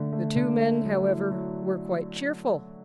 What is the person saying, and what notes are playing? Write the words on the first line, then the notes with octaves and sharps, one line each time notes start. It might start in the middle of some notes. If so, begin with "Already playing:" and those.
The two men, however, were quite cheerful.
Already playing: D3 A3
A3
D3
A3
F#3
E4
F#3